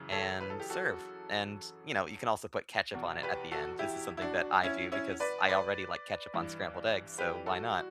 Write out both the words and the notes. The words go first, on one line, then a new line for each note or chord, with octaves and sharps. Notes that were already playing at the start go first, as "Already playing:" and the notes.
and serve. And, you know, you can also put ketchup on it at the end. This is something that I do because I already like ketchup on scrambled eggs, so why not?
Already playing: F#2 C#3 E3
A4 C#5
B4
A4
G4
F#4 A4
E2 B2
G4 B4
F#4 A4
E4 G4
E4
D4 F#4
C#4 E4
C#4 E4
B4 D5
B4 D5
G2 E3
G4 B4
F#4 A4
F#4